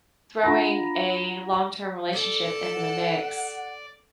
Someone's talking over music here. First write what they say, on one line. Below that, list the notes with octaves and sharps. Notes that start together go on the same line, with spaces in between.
throwing a long-term relationship into the mix,
D4 F4 F#5 A#5 B5 A#6
A4 D5
F#5